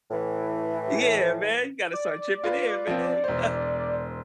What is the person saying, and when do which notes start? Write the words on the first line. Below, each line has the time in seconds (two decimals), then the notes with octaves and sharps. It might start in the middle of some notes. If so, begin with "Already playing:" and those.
Yeah, man, you gotta start chipping in, man you kno
0.11 A2 E3
1.93 D5
2.44 F4 B4
2.87 F3 C4
3.24 E1 C5